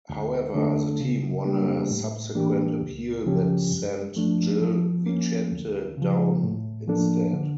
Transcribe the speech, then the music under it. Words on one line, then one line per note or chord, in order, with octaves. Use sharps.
However, the team won a subsequent appeal that sent Gil Vicente down instead.
D2
D3 A3 D4 A4
C#3
G3 A#3 D4 G4
A2
E3 A#3 D4 G4
C#2
C#3 F3 C#4 G4
G2
F3 A3 D4
F3
A#3 C#4
D2
C#3 F3
A2
F3 A#3 D4 A4
D3